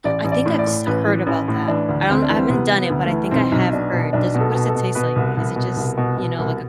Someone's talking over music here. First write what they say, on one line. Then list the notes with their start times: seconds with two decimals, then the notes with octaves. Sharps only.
I think I've s heard about that. I don't I haven't done it, but I think I have heard. Does what does it taste like? Is it just, you know, like a
0.04 A1 D5
0.24 A1
0.32 D5
0.46 A2
0.59 D5
0.66 A2
0.86 A1 B4
1.07 E3
1.27 A1
1.48 A2
1.68 E3 D4
1.89 D2
2.09 D2 C4
2.22 D4
2.29 E3
2.36 C4
2.49 C3 B3
2.71 E3
2.77 B3
2.90 D2
3.05 A3
3.12 E3
3.31 B1 C4
3.52 B1
3.73 B2 D4
3.93 B2
4.13 B1 D4
4.34 B2
4.40 A4
4.55 B2
4.68 A4
4.75 B2
4.95 B2 B4
5.16 C2
5.37 C2
5.56 B2
5.76 C2
5.97 B2
6.18 B2
6.39 C2